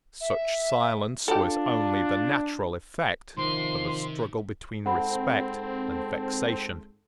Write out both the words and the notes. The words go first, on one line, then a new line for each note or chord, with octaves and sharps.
Such silence was only the natural effect of a struggle between respect and vexation.
E5
D4 F4 G4 A4
C3 D#3 F3 C5 C6
G#2 C4 A4 F#5 B5